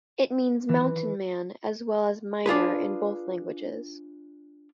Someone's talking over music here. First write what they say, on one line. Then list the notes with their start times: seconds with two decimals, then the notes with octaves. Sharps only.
It means "mountain man" as well as "miner" in both languages.
0.69 E3
2.46 D4 F4 G#4 B4